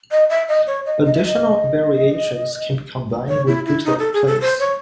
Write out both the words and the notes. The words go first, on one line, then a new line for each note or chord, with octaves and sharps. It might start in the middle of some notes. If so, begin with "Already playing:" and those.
Additional variations can be combined with bootleg plays.
D#5
E5
D#5
C#5
D#5
D#5
E5
D#5
C#5
E4
E4
D#4
A4
G#4
A4
C5
C#5